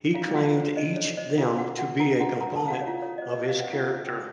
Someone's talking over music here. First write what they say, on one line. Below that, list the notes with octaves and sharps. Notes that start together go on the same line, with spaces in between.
He claimed each them to be a component of his character.
F4 C#5 F5
F4 F#4 F5
C5 C#5
C5 D#5
C5 C#5
C5 D#5
F4 A4 F5
F#4 F#5
F#4 F#5
F#4 A#4 A#5
F#4 F#5
F#4 A#4 A#5
A4 A5
A#4
F5
F#4 F#5
C#5
F4 F5
A4 C#5
C5 D#5
D#5
C5 F5
C5 F#5
F4 F5
C5
C#4